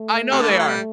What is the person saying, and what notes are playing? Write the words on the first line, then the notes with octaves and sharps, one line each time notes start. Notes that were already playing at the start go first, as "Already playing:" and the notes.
I know they are.
Already playing: A3
C3
D3
E3
F#3
G3